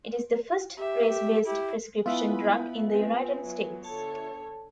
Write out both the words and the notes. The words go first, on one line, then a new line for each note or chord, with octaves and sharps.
It is the first race-based prescription drug in the United States.
G4 E5
G4
E4 G4
B3 E4 F4 B4 E5 G#5 B5
C4 B4 G#5
F#3
D3 A4 C#5 A5